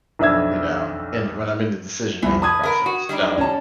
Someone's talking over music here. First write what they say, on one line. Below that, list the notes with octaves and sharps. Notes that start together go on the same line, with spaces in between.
you know, and when I'm in the decision-making process, so,
B1 F2 D4 E5 E6 G#6
C2 F2 E3
B4 A5 D#6 G#6
B3 A#4
F#4
G3 D4 D#4
C#4 A5